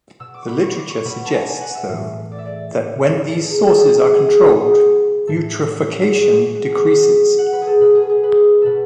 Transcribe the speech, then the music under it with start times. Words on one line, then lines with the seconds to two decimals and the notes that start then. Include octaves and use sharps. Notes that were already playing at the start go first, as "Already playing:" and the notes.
The literature suggests, though, that when these sources are controlled, eutrophication decreases.
0.19 B2 E6
0.34 D6
0.42 C#6
0.48 B5
0.63 C#6
0.77 D6
0.90 C#6
1.04 B2 B5
1.25 A5
1.33 G#5
1.47 G#5
1.61 F#5
1.75 E5
1.89 A2 E3
2.32 D5
2.38 E5
2.45 D5
2.73 A2 E3 C#5
3.16 B4
3.30 A4
3.45 G#4
3.58 B2 G#4
3.69 A4
3.79 A4
3.89 G#4
4.00 F#4
4.15 G#4
4.28 F#4
4.43 B2 G#4
5.27 A2 E3 A4
5.69 C#5
5.93 F#4 G#4
6.12 A2 E3 G#4
6.20 F#4
6.29 G#4
6.55 F#4
6.69 G#4
6.82 F#4
6.92 B2 F#4 G#4
7.38 F#5
7.53 B4
7.62 G#4
7.67 A4
7.80 B2 B4
7.95 G#4
8.09 G#4
8.23 B4
8.62 B2 A4 B4